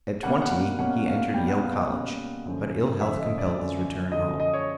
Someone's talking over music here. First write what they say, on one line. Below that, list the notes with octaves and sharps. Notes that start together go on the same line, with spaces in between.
At twenty he entered Yale College, but ill-health compelled his return home.
B2 G3 A#3 C#4 F#5
F#5
F#5
B2 G3 A#3 C#4 F#5
F5
B2 G3 A#3 C#4 G5
F#5
F5
D#5
B2 G3 A#3 C#4
F#2 D3 F3
F#2 D3 F3 E5
D#5
D5
F#2 D3 F3
F#2 D3 F3 D#5
D#5
C#5